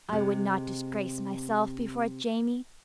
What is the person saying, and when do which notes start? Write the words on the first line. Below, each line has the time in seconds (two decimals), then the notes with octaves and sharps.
I would not disgrace myself before Jamie.
0.09 C3 G#3